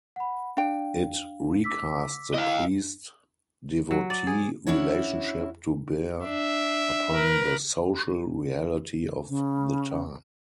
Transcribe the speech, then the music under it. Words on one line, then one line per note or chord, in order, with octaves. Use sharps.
It recast the priest-devotee relationship to bear upon the social reality of the time.
F#5 B5
D4 F5 G5
D6 E6 B6
E4 D#5 F5
F#3
D5
G#4
C#4 D4 E4 F#4 C#5
D4 E5
A#4 B4
C#3